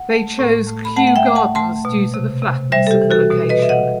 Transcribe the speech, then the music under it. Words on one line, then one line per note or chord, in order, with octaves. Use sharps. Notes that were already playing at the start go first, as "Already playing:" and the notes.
They chose Kew Gardens due to the flatness of the location.
Already playing: F#5
A3
A2
A3
B5
A3 F#5 A5
F#5
E5 G5
A3
F#5 A5
A3 A5 C6
B2
C3
C3
G3 C5 E5
A4
G4
E3
F#4 A4
B2
B4 D#5
B2 E5
D#5 F#5